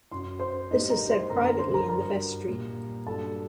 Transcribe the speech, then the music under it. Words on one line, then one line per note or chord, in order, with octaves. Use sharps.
This is said privately in the vestry.
F#2 F#3 C6
C5 C6
A2 G3 D#4 D#5
A#4 A#5
C5 C6
F#2 D3 G3 A#4 A#5
A#4 A#5
C5 C6
A#4 A#5
G2 F#3 A#4 A#5
A#2 G3
G2 F#3 A4 A5